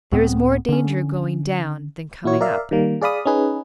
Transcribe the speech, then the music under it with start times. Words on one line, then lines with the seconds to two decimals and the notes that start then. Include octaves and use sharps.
There is more danger going down than coming up.
0.12 C#2 A2 B3 C4
0.69 D3 C#4
2.24 A#2 E4 F#4 C#5
2.41 A#4 D5 E5 F5
2.71 D#3 G3 A#3
3.02 G#4 D5 F5 B5 D#6
3.25 C#4 D#4 G#4 B4